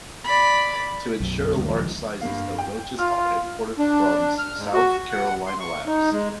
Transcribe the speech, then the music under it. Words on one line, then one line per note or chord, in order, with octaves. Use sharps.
To insure large sizes the roaches are imported from South Carolina labs.
D5 B5
B1 F#2
D2 D3 G3
D#1 C#2 F3
G2 A#3 F5
G5
F4 F6
D4
F6
G#2
F#4
F#5
C6
C#6
D#4
G#3